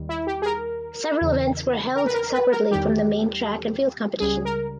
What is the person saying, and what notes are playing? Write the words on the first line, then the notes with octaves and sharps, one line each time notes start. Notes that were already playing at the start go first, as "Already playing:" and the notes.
Several events were held separately from the main track and field competition.
Already playing: D#2 D#3 G3
E4
G4
G#4
A#4
E2 C#3 E3
A#4
B4
A#4
B4
A#4
E2 D#3 G3 G4
C#2 C#3 G3 G#4
A#4